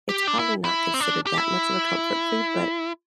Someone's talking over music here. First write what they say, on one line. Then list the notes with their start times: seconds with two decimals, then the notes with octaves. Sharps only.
it's probably not considered that much of a comfort food, but
0.09 G4
0.27 D4
0.39 E4
0.65 E4
0.94 C4
1.00 D4
1.27 G4
1.38 E4